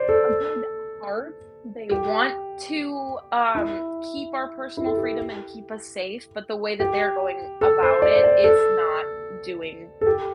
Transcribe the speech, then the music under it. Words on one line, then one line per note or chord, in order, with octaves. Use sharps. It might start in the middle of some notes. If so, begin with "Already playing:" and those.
a good heart. They want to, um, keep our personal freedom and keep us safe, but the way that they're going about it is not doing
Already playing: C5 D5
A4
G4
E4
E4
A4
G4
G4
A4
C5
D5
C5
D5
A4
A4
G4